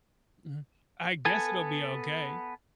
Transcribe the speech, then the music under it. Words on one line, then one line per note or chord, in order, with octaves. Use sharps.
Mhm. I guess it'll be okay
B3 A4 G#5